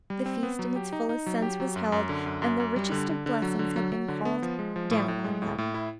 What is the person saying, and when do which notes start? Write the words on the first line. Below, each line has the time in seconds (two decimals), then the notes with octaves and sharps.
The feast, in its fullest sense, was held, and the richest of blessings had been called down on them.
0.10 G3
0.26 C4
0.43 B3
0.59 F#3
0.76 G4
0.93 D#4
1.09 D#4
1.26 F#3
1.42 G4
1.60 F#3
1.76 F#2
1.92 F#2
2.09 D3
2.26 F#2
2.42 F#2
2.60 F#2
2.76 G3
2.92 D3
3.09 D3
3.26 D3
3.42 F#3
3.59 D3
3.76 F#3
3.92 F#3
4.08 D3
4.25 B3
4.42 F3
4.59 G#3
4.76 F3
4.91 A2
5.08 A2
5.24 G#3
5.42 A2
5.58 A2
5.74 E4